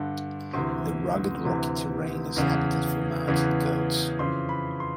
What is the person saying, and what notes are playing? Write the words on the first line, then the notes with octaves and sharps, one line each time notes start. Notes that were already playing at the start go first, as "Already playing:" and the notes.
The rugged rocky terrain is habitat for mountain goats.
Already playing: G2 D3
D2 C3 E3 C6
D2 C3 E3
E2 C#3 E3
E2 C#3 E3
F2 C#3 E3 C6
B5
C6